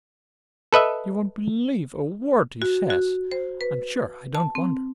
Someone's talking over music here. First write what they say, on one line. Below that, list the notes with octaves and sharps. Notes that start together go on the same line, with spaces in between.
You won't believe a word he says--I'm sure I don't wonder.
A4 B4 D#5 E5
F#4
F#4
C5
B4
A5
C4